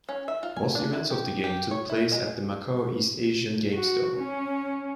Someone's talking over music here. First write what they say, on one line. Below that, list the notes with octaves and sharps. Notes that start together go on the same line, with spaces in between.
Most events of the games took place at the Macao East Asian Games Dome.
C#4
E5
F4
G#5
D4
E4
G4
G4
C#5
E4
G#3
F#4
C#4